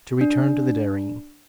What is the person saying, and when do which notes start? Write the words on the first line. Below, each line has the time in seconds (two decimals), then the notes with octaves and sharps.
To return to the dairying.
0.21 D4